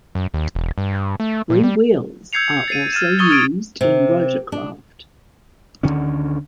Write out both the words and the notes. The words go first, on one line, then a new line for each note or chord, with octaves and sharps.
Freewheels are also used in rotorcraft.
F#2
D#2
E1
G2
A3
A#2
G3
E6 G6 G#6 C7 C#7 F7
A6 C7 D#7
F6 A6 D#7 E7
C#6 D#6 E6 G#6 A6 G7
F6 G#6 A6 D7 D#7
C3
D4
D2 D3 D#3 C#4